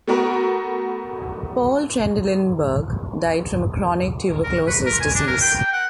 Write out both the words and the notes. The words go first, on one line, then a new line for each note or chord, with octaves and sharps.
Paul Trendelenburg died from a “chronic tuberculosis disease”.
A3 B3 F#4 A#4
A#4
B4
A#4
G#5
D4
A#4
G5
G5
F#5